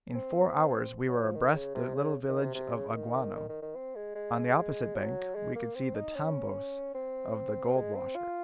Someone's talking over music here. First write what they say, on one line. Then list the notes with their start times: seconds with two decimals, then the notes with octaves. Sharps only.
In four hours we were abreast the little village of Aguano; on the opposite bank we could see the tambos of the gold washers.
0.15 C4
1.08 F#3
1.21 F3
1.35 D#3
1.54 C#3
1.75 C3
1.94 C#3
2.29 D#3
2.41 C3
2.54 C3
2.75 C#3
2.89 C#3
2.95 D#3
3.35 D#3
3.49 D#3
3.62 D#3
3.75 C4
3.96 G#3
4.15 G#3
4.96 F#3
5.35 G#3
5.55 A#3
5.75 C4
5.95 D#4
6.16 C#4
6.95 C4
7.76 G#3
7.95 C4
8.15 F4